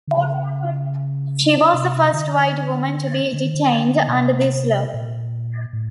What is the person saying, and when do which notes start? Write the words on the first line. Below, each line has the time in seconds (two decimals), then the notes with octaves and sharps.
She was the first white woman to be detained under this law.
0.07 D3
0.13 C#3
1.74 C3
2.13 D3
3.33 D3
3.44 D#3
3.54 D3
4.08 B2
4.14 C3
4.94 A#2
5.73 A2